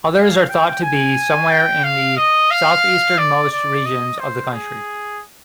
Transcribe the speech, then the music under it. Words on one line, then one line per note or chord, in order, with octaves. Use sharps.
Others are thought to be somewhere in the southeastern-most regions of the country.
F5
G5
G#5
G5
F5
D#5
F5
D5
D5
D#5
C5
G#4